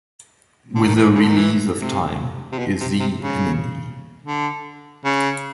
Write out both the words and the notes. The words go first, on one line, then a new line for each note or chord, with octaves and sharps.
With the release of Time Is Thee Enemy!
D3
D#3
E3
C#3
D3
D#3
E3
C3
C3
B2
C3
C3
C#3
D3
C#3